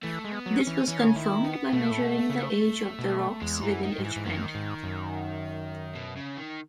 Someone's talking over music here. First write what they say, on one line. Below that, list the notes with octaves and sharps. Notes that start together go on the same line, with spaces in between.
This was confirmed by measuring the ages of the rocks within each band.
E3 A3
G#3
B3
F#3
C#4
E3
E3 C#4
D#3
C#3
D#3 E4
B3
B2 A3
A2
B2
C#3
B2
E2 G#3
G#2 E3
F#2
D#3
G#2
E3
G#2
F#2 D#3
G#2
F#2
B2
C#3
D#3